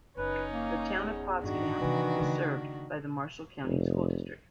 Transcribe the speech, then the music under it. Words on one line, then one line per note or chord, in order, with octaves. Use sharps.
The Town of Potts Camp is served by the Marshall County School District.
F#1 C#4 D#4 B4
A#3
E2
A1 G2 D#3 D4 F#4
C3 E3 A#3
C#3 A3
F1